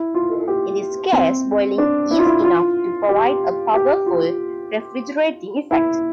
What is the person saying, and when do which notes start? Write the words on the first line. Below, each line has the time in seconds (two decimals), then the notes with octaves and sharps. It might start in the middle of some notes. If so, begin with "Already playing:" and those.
In this case, boiling is enough to provide a powerful refrigerating effect.
Already playing: E4
0.15 F4
0.48 G4
1.13 C4
1.78 D4
2.11 E4
2.19 F4
2.26 E4
2.44 F4
3.09 G4
3.74 G4
4.06 F4
5.71 E4